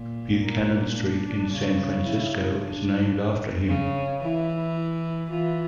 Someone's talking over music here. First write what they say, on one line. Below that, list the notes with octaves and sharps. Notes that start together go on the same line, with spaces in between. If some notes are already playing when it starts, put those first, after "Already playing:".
Buchanan Street, in San Francisco, is named after him.
Already playing: A#2
A#3
D4
C#3
E4
D4
C#3 C#4
E3 E4
E4
E3 F4